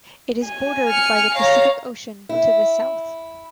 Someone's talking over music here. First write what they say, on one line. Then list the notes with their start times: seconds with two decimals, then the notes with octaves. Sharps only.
It is bordered by the Pacific Ocean to the south.
0.45 G#5
0.88 F6 C#7
1.35 C#5 F5 A#5
2.29 E4